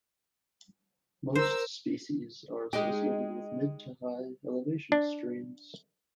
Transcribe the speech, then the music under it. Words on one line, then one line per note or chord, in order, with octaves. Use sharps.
Most species are associated with mid-to-high elevation streams.
A#4 C5 E6
G#3 D#4 G4
D4